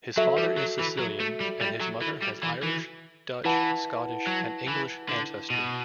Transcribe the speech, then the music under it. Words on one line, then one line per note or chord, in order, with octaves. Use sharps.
His father is Sicilian, and his mother has Irish, Dutch, Scottish, and English ancestry.
F#3 F#4 A4 E5
G3
F#3
E3
F#3
A3
G3
G3
F#3
E3
G3
E3
E3
E3 E4 B4 F#5 A5
F#3
E3
D3
B2